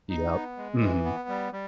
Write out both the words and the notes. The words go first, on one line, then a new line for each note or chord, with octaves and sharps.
Yup. Mhm.
D#4
B3
G#3
E3
B3
G3
G3